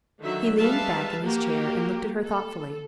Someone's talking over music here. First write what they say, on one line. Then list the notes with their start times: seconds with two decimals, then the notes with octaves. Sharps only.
He leaned back in his chair and looked at her thoughtfully.
0.20 D3 D#3 F#3 E5
0.58 G3 G#3 B4 E5 F5 A5
1.23 A#3 F#4 G4 A#4
2.24 A4